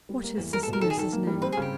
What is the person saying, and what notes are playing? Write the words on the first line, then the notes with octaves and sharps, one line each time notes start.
"What is this nurse's name?"
G3
A#3
E2
G3 A#4
A4
B2 A#4
D#3 A4
G#4
D#3 A4
A#3
G3
C4 B4
G#4
C#3 G4